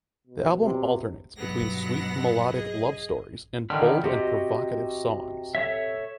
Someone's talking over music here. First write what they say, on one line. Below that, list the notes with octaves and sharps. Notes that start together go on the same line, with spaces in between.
The album alternates between "sweet melodic" love stories and "bold and provocative" songs.
B2
C3
G2 B2 F#3 B3 F#5 A#6
G#4 D#5
D3 D#3 G5 B5 F6
C3 F#4 G4 D#5
A4 C#5 E5